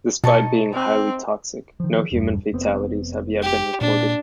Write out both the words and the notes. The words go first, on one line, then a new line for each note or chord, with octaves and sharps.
Despite being highly toxic, no human fatalities have yet been reported.
B2 D#4 A5 C#6 C#7
C4
D#3 F3
E1 G2
F1 B3 C4
G4
A#2 D4